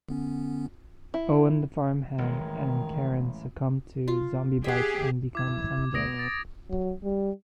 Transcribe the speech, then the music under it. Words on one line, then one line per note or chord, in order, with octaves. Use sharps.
Owen the farmhand and Karen succumb to zombie bites and become undead.
D3 B3 C#4
E4
A1 D#3 G#3
F4
G4 G#4 E5 F#5
E4 D6 G#6
B2 D#6 A#6 D7
A6
F#3
G3